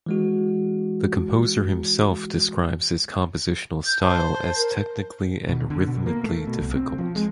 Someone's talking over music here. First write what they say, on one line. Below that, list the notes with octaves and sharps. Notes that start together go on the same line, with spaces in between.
The composer himself describes his compositional style as technically and rhythmically difficult.
E3 G#3 F#4
G6
C5 A5
A#4
B2
D3
B2
A#3
A3
B2
C2
C4
F3
G#3